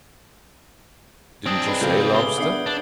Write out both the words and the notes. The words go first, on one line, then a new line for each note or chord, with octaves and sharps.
"Didn't you say lobster?"
C4 D4 D#6 G#6 D7
G#3 B4 C7
C#2 B2 G4 A4 F5 D6 G6
G#4 D6 G7
B3 D4 E5 F#5 D#6 C7
D4